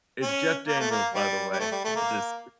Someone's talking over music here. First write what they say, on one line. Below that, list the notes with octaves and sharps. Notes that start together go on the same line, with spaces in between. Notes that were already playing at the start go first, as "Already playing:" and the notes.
it's Jeff Daniels, by the way. Just,
C#4
A#3
A3
A#3
G3
G3
A3
G3
A3
A#3